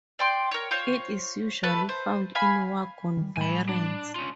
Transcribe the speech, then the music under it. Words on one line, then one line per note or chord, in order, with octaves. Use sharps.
It is usually found in wagon variants.
D5 G5 C6
A#4 C#5
F4 C5 C#5
A3 B4 A5
C5
F5 G#5 B5
D#3 G3
A2 G3 G#5 B5
D4
C#4 F4